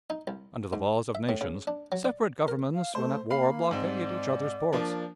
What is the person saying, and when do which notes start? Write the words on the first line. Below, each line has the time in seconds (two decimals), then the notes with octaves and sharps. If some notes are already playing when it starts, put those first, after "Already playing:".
Under the laws of nations, separate governments when at war blockade each other's ports.
0.10 D#4
0.27 C2
0.73 G#2
1.15 E5
1.29 A2
1.41 C#3
1.67 D4
1.92 F#3
2.04 D5
2.48 A#4
2.74 F5
2.95 A3 C5
3.30 A#3 F5 B5 C7
3.71 G#2 C4 D5
4.73 F3 A#3 D4